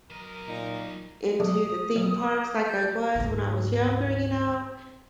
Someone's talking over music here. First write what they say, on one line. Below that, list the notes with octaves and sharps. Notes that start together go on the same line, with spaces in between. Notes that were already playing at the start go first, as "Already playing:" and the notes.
into the theme parks, like I was when I was younger, you know?
F#3 A#4 D#5
A#2 D#4
B1 A3 D4 D#6
B1
G6
D2 G#2